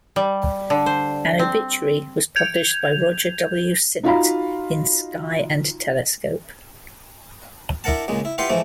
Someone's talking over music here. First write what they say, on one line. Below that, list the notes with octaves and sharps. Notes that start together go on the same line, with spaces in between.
An obituary was published by Roger W. Sinnott in "Sky and Telescope".
G3
D3
C5
C4
G6 G#6 F7
D#4 F4 F#4 F5 A#5 B5
D4 E4 A#4 F#5 A5
C#2 A#2 G#3
E4
E4 F4 G4 B4 F#5 C6
G#2 E3 F3 A3 D4